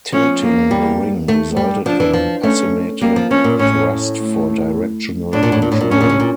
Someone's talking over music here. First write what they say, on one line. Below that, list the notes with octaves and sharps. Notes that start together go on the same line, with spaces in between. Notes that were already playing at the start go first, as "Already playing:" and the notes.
Tilting the ring resulted in asymmetric thrust for directional control.
F3 C#4
A#3
G3
A3
G3
F3 D4
E3
F3
A3 C#4
G3 A#3
F3
F3 C#4
A#2
A2 C#4
A3
A2 D4
A#2
A2
A#2
A2
A#2
A2 C#4
A#2
A2
A#2